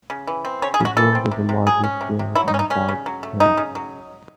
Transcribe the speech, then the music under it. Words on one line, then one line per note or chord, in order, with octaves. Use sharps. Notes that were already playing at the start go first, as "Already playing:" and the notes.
The world is a larger scale than "The Bard's Tale".
C#3
E3
C4
C#3 C#5
G#4
C#3 F#4
E3 A4
C4
C3
C3
F#3 G#4
C#4
C3
C3
F#3 E4
D#4
C#4
D#4
C#3 C#4
C#3
F#3
A3
C#3 D#4
C#3
F#3